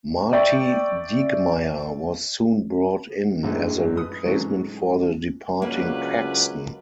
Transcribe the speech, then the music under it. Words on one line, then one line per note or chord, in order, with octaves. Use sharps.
Marty Dieckmeyer was soon brought in as a replacement for the departing Paxton.
D5 E5 G5 C#6
A1 F#2 A#2 D3 G#3
B4 D#6
C3 E3 F#3 A3 C4 C#4
G#2
C#2 F#3 A#3 C#4 D4 B4